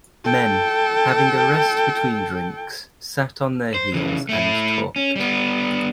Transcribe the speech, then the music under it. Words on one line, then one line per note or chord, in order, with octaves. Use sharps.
Men, having a rest between drinks, sat on their heels and talked.
A4 G5
C5
C#3 E3
A3 E4
C#4
G3 B3